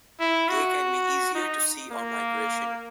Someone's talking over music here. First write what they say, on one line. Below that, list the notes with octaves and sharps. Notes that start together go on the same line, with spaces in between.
They can be easier to see on migration.
E4
F#4
D#4
A#3